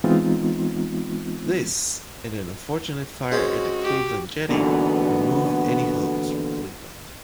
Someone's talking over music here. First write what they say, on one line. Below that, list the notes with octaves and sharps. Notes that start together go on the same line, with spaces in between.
This, and an unfortunate fire at the Cleveland jetty, removed any hopes for Cleveland.
E3 G#3 B3 C4 D#4 F4
G#3 C4 C#4 F#4
G4
A#2 D3 E3 B3 F#4